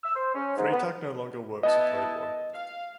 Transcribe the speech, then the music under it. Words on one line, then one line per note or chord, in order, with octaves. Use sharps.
Freytag no longer works for Playboy.
E6
C5
C#4
G#2
B3
B3 E4 D#5 A5
F5